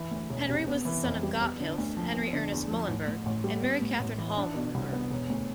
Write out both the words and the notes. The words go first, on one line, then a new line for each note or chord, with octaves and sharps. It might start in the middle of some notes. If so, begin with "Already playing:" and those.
Henry was the son of Gotthilf Henry Ernest Muhlenberg and Mary Catherine Hall Muhlenberg.
Already playing: E3
D2
E1
C3
B3
E3
F2
G3
B3
D3
D2
F3
B3
D3
E2
F3
A1
A2
A1
G3
B3
A2
A1
E3
D4
B2
C2
B3
E1
D2